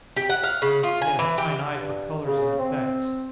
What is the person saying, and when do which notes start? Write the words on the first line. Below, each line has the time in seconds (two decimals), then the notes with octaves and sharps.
He had a fine eye for colors and effects.
0.16 G4
0.29 F#5
0.43 F5
0.62 C#3
0.83 F4
1.01 G#5
1.19 E3
1.38 G4
1.74 G2
2.27 C#3
2.59 C4